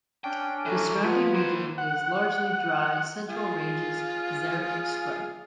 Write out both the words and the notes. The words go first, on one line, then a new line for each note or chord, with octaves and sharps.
The surrounding region is largely dry Central Ranges xeric scrub.
C#4 D4 G5
E3 F#3 A4
F3 F4 B4 F#5 G#6
A#3 C5
F#5
F4 G#4